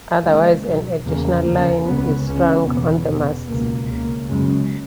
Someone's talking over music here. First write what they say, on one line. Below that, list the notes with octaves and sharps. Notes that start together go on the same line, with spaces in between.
Otherwise an additional line is strung on the masts.
D#2 C#3 G#3
C#2 B2 F#3
E2 C#3 A#3
D#2 C#3 A#3
C#2 C#3 B3
C#2 C#3 C#4
E2 B2 B3
E2 B2 B3
C#2 B2 A#3
C#2 C#3 A#3
F#2 C#3 G#3